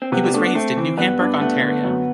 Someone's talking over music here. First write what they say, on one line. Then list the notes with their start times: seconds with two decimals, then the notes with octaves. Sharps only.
He was raised in New Hamburg, Ontario.
0.02 C4
0.12 C3 B3
0.24 G3
0.34 A3 D4
0.45 B3
0.55 A3 C4
0.77 E3
0.98 G2 B3
1.20 D4
1.41 A3 B3
1.62 D3
1.84 F#2